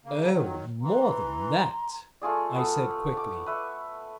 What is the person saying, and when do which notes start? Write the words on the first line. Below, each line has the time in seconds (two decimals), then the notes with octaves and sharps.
"Oh, more than that," I said quickly.
0.05 C#3 A#3
0.31 D#3 F#3
0.82 E3 A#5 C6
2.22 A3 F4 G#4 D5
2.55 A3 B3
3.17 D6
3.46 B4 E5 C#6